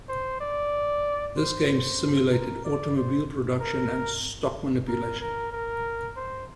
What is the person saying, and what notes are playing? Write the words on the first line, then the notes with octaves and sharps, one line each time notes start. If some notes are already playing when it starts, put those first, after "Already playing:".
This game simulated automobile production and stock manipulation.
C5
D5
C5
C5
A#4
D5
C5
A#4
A#4
A#4
A#4
C5